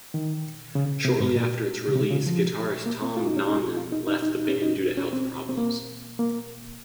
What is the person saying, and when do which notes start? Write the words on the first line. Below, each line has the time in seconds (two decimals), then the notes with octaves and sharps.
Shortly after its release guitarist Tom Naumann left the band due to health problems.
0.14 D#3
0.75 C#3
1.05 C3
1.20 G#2
1.36 A#2
1.88 C#3
1.96 C3
2.11 C#3
2.26 F3
2.86 A#3
3.02 C4
3.17 F4
3.27 D#4
3.37 C#4
3.47 D#4
3.77 F4
3.92 D#4
4.07 D#4
4.22 D#4
4.37 D#4
4.49 C#4
4.62 D#4
4.97 C#4
5.13 C4
5.49 C4
5.57 A#3
6.19 A#3